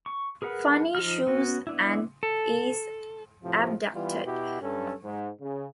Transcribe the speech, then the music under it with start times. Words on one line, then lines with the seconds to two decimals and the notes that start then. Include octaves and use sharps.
Funny Shoes and is abducted.
0.06 C#6
0.42 G#4 A#4 B4 F#5
0.95 F3 D#4 F6
1.27 B3 C#4 F#4
1.67 B3 D4 E4
2.23 A4
3.44 A2 C3 F3
3.94 E3 G3 B3 F4
4.25 B2 E4 F#4 G4
4.61 G2 C#4 A4
5.05 G#2
5.40 C#3